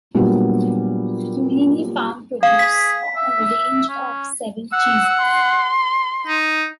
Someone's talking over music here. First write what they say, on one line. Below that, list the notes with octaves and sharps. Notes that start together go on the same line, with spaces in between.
Cooleeney Farm produce a range of seven cheeses.
A#2 F#3 G3 B3 D4 F4
G#4 F5
B6
E5
C#4
F#5 E6
C6
D#4